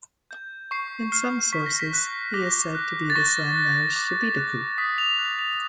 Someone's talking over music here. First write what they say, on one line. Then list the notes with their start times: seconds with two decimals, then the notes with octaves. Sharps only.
In some sources he is said to be the son of Shebitku.
0.31 G6
0.71 C#6 C7
1.12 F6 C7
1.53 C#6 B6
1.66 A#6
1.80 B6
1.93 F#6
2.34 D6 A#6
2.75 F#6
3.10 A6
3.15 C#6 A#6
3.56 F#6
3.96 D6
4.37 F#6
4.78 D#6 B6
4.98 F7
5.19 F#6
5.39 F7